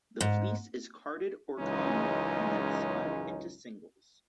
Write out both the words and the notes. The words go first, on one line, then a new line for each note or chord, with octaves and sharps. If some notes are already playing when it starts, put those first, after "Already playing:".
The fleece is carded or combed and then spun into singles.
G#2
C#2 F#2 E3 G#3 C#4 D#4